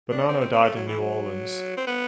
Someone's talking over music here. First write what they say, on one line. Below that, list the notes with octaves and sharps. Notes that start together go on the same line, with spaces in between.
Bonano died in New Orleans.
D4
C4
C4
C4
A3
F#3
E3
F#3
C4
B3